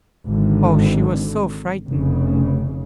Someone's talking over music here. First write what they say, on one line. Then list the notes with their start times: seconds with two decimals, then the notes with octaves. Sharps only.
Oh, she was so frightened!
0.25 G#1 D3
1.87 F1 C#3